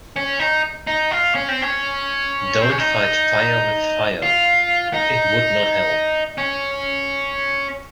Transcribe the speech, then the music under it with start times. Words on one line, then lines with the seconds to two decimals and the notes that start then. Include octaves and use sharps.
Don‘t fight fire with fire, it would not help.
0.16 C#4
0.40 D#4
0.87 D#4
1.11 F4
1.35 C#4
1.48 C4
1.62 C#4
2.62 C4
2.70 C#4
2.78 D#4
4.22 F4
4.94 D#4
6.38 C#4